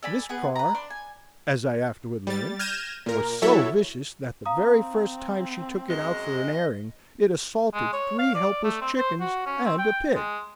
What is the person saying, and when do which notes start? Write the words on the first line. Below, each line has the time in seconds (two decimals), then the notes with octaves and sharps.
This car, as I afterward learned, was so vicious that the very first time she took it out for an airing it assaulted three helpless chickens and a pig.
0.03 A4 D5 G#5 B5
0.29 B3 G#4 B4
0.56 B4 A#5
0.75 D4 D5 C6
0.90 G#5
2.27 G3 A6
2.59 F6 G6 G#6 A#6 D#7 E7
3.06 A#2 A#4
3.42 F#3 E4 A4 C#5 E5
4.46 C4 F5 A#5 D#6
5.90 F#2 G#3 D#5
7.74 G#3
7.93 C#5
8.19 F5
8.35 D5
8.64 A3
8.81 C4
8.97 C5
9.20 F#4
9.46 C#4
9.66 C4
9.78 G5
10.15 G#3